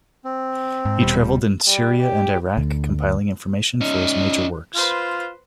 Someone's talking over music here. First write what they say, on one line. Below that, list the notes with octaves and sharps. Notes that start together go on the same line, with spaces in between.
He traveled in Syria and Iraq, compiling information for his major works.
C4
G#2
D#1 B2 G3
G3
G4
D2
C#4 D#4
F4 B4 C5